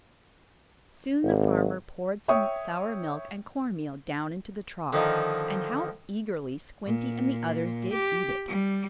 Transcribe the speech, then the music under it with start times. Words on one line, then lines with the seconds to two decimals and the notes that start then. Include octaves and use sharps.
Soon the farmer poured some sour milk and corn meal down into the trough, and how eagerly Squinty and the others did eat it!
1.24 G#1
2.28 C#5 E5 G5 C#6 D#6
4.93 D3 D#3 F3 D#4
6.87 A#2
7.93 G4
8.48 G3